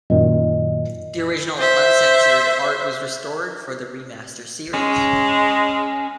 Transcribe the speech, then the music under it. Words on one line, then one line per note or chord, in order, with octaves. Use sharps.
The original uncensored art was restored for the remaster series.
F#2 A#2 D#3 D#5
C5 E5
G#3 C#4